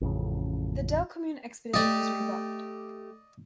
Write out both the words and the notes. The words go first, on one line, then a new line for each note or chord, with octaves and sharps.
The Delcommune Expedition was rebuffed.
A1 F2 C#3
A3 G4 D5 D#5